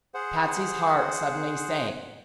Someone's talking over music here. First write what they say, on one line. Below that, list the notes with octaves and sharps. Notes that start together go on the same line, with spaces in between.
Patsy's heart suddenly sank.
G#4 C5 F#5